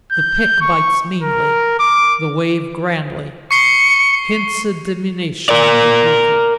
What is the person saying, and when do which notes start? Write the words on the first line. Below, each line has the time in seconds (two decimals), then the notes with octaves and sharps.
The pick bites meanly, the wave grandly; hence a diminution of beauty.
0.12 G6
0.61 C#6
1.23 A#4
1.80 D6
3.51 C#6 C7 C#7 G7
5.49 A#4 D5